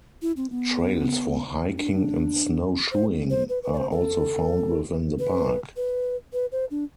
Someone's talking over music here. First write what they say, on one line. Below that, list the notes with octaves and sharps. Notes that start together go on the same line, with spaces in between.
Trails for hiking and snowshoeing are also found within the park.
E4
C4
B3
D4
C5
C5
B4
B4
D5
C5
A4
B4
B4
B4
C5
D4